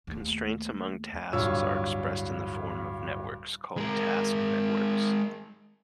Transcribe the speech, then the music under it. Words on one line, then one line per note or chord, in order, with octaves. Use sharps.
Constraints among tasks are expressed in the form of networks, called task networks.
D#2 A3
D1 G2 F4 C#5 E6
G#3 A#4